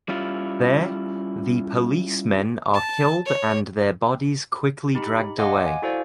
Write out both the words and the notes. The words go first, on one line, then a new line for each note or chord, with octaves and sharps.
There, the policemen are killed and their bodies quickly dragged away.
G3 C#4 E4 F4
A5
C#5
D#4 G4 B5
D#5 F5 F#5 G#5 C6 D6
G#5
E4 F#4 A4 C5 D5 F5